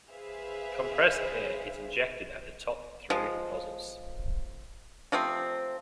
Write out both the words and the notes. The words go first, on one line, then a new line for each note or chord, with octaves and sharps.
Compressed air is injected at the top through nozzles.
G#4 B4 C5 E5 F5
F3 G#3
C3 F3 A3 C4